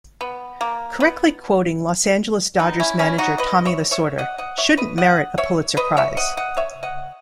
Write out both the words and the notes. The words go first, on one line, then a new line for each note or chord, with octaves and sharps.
Correctly quoting Los Angeles Dodgers manager Tommy Lasorda shouldn't merit a Pulitzer Prize.
B3
A#3
B3
B3 D#4
C#4 E4
C#4 E4
D#4 F#4
B4 D#5
C#5 E5
C#5 E5
D#5 F#5
D#5 F#5
C#5 E5
B4 D#5
D#5 F#5
C#5 E5
B4 D#5
C#5 E5
D#5 F#5
D#5 F#5
C#5 E5
D#5 F#5